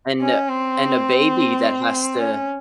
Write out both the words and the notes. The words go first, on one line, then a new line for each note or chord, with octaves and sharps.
And a and a baby that has to
C#4
C4
C#4